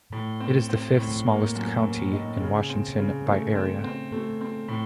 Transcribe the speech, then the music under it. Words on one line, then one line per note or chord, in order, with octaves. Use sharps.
It is the fifth-smallest county in Washington by area.
A2
C4
C4
A2
A#3
F#2
A#3
D#4
C#3
C4
C#3
A3
C4
C4
A3
C4
A2